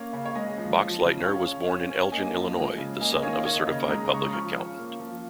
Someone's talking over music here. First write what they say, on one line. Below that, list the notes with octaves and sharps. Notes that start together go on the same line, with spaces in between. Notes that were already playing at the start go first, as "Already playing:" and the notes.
Boxleitner was born in Elgin, Illinois, the son of a certified public accountant.
Already playing: A#3 C#4 C#5 F5
C#3
C#5
G#3 D#5
F3
F3
C#3
C#4 C#5 F5
C#4
C#4
C#4
A#3 D#5 G#5
F3
G#3
C#3
A#3 D#5 G#5
D#5 G#5
D#3 C#5 F5
D#5
A#3 C#5
D#5
C#3 D#5
D#5
G#3 A#5 D#6
A#5
C#3 C#6
D#6
F3 C#6 F6
C#4
A#3
F3